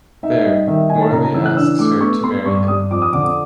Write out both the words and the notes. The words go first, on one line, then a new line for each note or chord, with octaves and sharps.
There, Morley asks her to marry him.
D#4 E5
G3 D#5
D#3 E5
D#4 G#5
A5
C#3 A#5
A#5
E3 E6
F#6
D4 E6
A3 D6
B3 C#6
B3 C6
G2 C#6
G2 D#6
F2 D6
D#6
D3 D6
D6